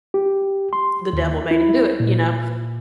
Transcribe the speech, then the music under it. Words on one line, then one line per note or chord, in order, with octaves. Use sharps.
the devil made him do it, you know?
G4
C6
D#2
E4
A#2